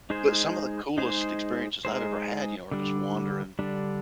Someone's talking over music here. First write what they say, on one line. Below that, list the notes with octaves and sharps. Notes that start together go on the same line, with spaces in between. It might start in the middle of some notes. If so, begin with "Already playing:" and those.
But some of the coolest experiences I've ever had, you know, are just wandering
G#3 D#4 G#4 C5
G#3 D#4 G#4 C5
G#3 D#4 G#4 C5
D3 G3 D4
D3 G3 D4